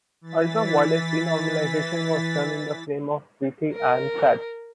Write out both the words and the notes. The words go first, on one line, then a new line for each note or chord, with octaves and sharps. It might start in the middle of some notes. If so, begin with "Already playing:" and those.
Ultraviolet renormalization was done in the frame of the Bethe Ansatz.
E3 A6 B6
A#4